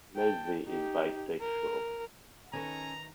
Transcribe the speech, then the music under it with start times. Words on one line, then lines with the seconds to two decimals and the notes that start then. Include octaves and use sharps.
Leslie is bisexual.
0.16 G5 A5
0.64 D#4 G4
1.41 A#4
2.53 D#3 C#4 D#4 A4 B4 G#5 A#5 A#6